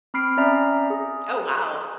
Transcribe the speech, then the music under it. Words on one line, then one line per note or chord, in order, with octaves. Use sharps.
Oh, wow.
C4 B5 F6 C7 D7
C#4 D5 E5 A#5
G#4